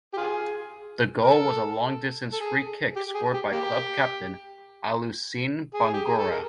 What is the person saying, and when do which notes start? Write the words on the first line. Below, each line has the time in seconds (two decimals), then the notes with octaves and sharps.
The goal was a long distance free-kick scored by club captain Alusene Bangura.
0.13 G4
0.17 F4 G#4
1.24 A#4
1.29 A4
2.32 A4
2.41 G#4
2.96 G4
3.15 G#4
3.34 G4
3.52 A#3 G4
5.74 G#4
5.93 G4
6.05 G#4
6.18 A4
6.31 A#4